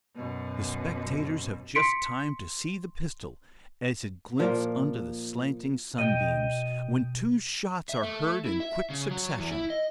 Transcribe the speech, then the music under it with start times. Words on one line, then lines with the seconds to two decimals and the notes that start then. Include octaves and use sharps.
The spectators have just time to see the pistol--as it glints under the slanting sunbeams--when two shots are heard in quick succession.
0.15 F#2 B2
1.75 C6 B6 C#7 D7
4.39 A#2 F3 A#3
5.98 B2 D#5 G5
7.89 E5
8.03 A3
8.45 E4
8.60 E5
8.90 C#3
9.11 F#3
9.38 E2
9.51 E4
9.70 D#5